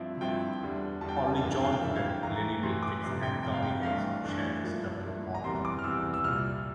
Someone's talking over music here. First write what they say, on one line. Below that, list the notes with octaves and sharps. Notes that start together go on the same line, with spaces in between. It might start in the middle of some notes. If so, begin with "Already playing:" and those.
Only John Wooden, Lenny Wilkens and Tommy Heinsohn share this double honor.
Already playing: G2 F3 C4 E4
G2 F3 C4 E4 G5
E2 D3 G3
E2 D3 G3 A5
G5
A5
G1 F2 E3 A#3 D4 A5
G5
F5
G5
G1 F2 E3 A#3 D4 E5
F5
G5
A2 E3 A3 A#5
A2 E3 A3 C6
D6
G1 F2 C3 C6
G5
G1 F2 C3 G5
F5
G5
G1 G2 E3 A3 D4 F5
G1 G2 E3 A3 D4
G2 F3 A#3 E4
G2 F3 A#3 E4
A#5
E2 E3 G3 C4 C6
D6
F6
E2 E3 G3 C4 E6
E6
C2 A#2 G3 F6